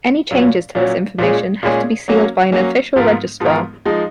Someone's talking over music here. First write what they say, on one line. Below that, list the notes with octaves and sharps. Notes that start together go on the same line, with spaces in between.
Any changes to this information have to be sealed by an official registrar.
A#2 F#3 C#4
A#2 F#3 C#4
A#2 G#3 C#4 G#4
A#2 G#3 C#4 G#4
F#3 A#3 C#4
F#3 A#3 C#4
G#2 F3 B3 F4 A#4
G#2 F3 B3 F4 A#4
F3 G#3 D#4